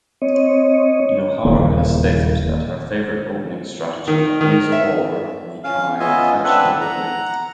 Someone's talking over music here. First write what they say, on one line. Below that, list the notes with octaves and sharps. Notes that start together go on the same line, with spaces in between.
Nohara has stated that her favorite opening strategy is or the Kamaitachi opening.
C4 C#5 D#5
D#1 E2 C#3 A#3
D#3
D#3
E5
C#4 F5
B3 C#4 F4 D#5 E5 G#5
C4 D4 A4 B4 E5 F#5
F#5 A#5